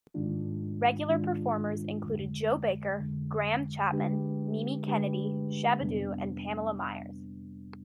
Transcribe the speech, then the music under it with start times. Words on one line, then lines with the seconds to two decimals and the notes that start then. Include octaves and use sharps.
Regular performers included Joe Baker, Graham Chapman, Mimi Kennedy, Shabba-Doo and Pamela Myers.
0.14 G#2 D#3 G#3 D4 F4
1.10 G#2 D#3 G#3 D4 F4
2.03 F2 D3 G#3
2.98 F2 D3 G#3
3.91 D3 G#3 D4 G4 B4
4.87 D3 G#3 D4 G4 B4
5.80 F2 C3 G3 B3 D4